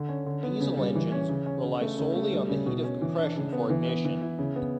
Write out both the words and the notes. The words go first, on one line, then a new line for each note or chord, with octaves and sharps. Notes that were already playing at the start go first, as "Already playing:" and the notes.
Diesel engines rely solely on the heat of compression for ignition.
Already playing: D3
C#4
D3
B3
C#3
G3
E3
C#4
C#3
C#4
C#3
A3
C#3
A3
G3
C#3
B2
C#4
E3
D4
C#3
B3
E3
B3
E3
E4
C#3
B3